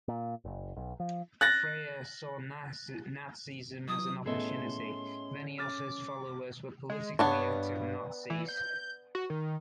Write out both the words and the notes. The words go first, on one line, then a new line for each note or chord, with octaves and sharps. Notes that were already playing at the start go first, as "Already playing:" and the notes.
Freyer saw Nazism as an opportunity; many of his followers were politically active Nazis.
A#2
F#1
B1
F3
F#6 A6 A#6
E3 F#3 D#6
A2 B3 C#4 G#4 A4 D#5 E5 C6
D6 F6 A6
G#3
G2 B3 D4 C#5
E3
G6
F#4
D#3